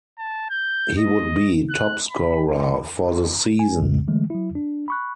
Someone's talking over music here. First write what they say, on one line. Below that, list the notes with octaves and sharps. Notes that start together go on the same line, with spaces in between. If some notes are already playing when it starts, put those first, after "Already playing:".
He would be top scorer for the season.
A5
G6
D#5
F#6
B5
G#5
C2 F2 A2 G#3
D3 E3 G#3 A3
F#3 E4
D4
B5 C#6 F#6